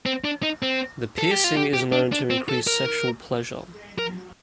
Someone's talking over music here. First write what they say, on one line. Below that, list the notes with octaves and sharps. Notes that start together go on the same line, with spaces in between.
The piercing is known to increase sexual pleasure.
C4
D4
D#4
C4
A4
G4
F4
G4
G4
D4
D4
C4
A4
A#4
A#4